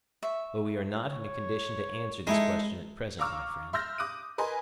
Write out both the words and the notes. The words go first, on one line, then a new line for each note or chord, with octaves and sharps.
But we are not in a condition to answer this question at present, my friend.
E5 C#6
C#5
G#3 D#4 E4 A4
F5 A#5 C#6 D6 E6 F6
E5 C6 E6 F6 G6 A#6
D6 D#6 F#6 D#7
A#4 B4 D#5 G#5 C6